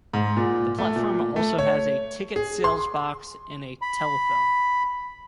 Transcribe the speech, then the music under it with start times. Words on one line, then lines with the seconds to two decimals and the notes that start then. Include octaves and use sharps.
The platform also has a ticket sales box and a telephone.
0.13 G#2
0.37 A#2
0.78 A3
0.96 A#2
1.36 A3
1.59 C#5
2.36 G#4
2.64 C6
3.82 B5